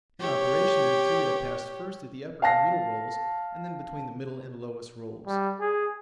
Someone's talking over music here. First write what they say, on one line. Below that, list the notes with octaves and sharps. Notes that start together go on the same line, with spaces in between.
In operation the material passed first through the upper and middle rolls, and then between the middle and lowest rolls.
G4 C#5
F5 A5 A#6 C7
G3
G#4